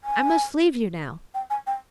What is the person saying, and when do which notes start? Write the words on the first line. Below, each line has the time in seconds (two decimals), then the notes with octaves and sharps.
I must leave you now.
0.04 G#5
1.34 G5
1.50 G#5
1.67 G5